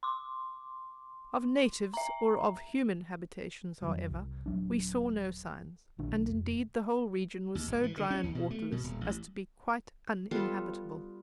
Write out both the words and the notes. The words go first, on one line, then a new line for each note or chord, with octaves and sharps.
Of natives or of human habitations, however, we saw no signs, and indeed the whole region was so dry and waterless as to be quite uninhabitable.
C6 D6
E5 A#5
F2 D#3 F#3
C2
D#1 F#3 D4
A#1 D#3 D4
B1
F1
D#2
G#1
E3
D3
C#4
D#2
B2
A3
B2
D#1
A1
G3 B3 F4 A4